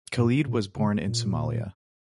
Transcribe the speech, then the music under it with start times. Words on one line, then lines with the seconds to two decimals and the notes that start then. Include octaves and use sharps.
Khalid was born in Somalia.
0.17 G#2
0.47 A#2
0.78 C#3
1.07 A#2